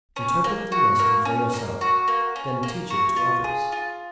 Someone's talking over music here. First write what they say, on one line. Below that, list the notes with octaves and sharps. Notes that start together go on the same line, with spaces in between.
Interpret the lesson for yourself, then teach it to others.
C#4
A#3
F#4
A#3
C#4
A#3
F#4
A#3
C#4
A#3
F#4
F4
G#4
F4